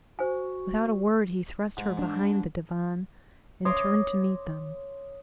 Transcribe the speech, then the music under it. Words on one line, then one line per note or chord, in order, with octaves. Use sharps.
Without a word he thrust her behind the divan and turned to meet them.
F#4 C5 G#5
G#2
D4
C#5 C6 D6 D#6 A#6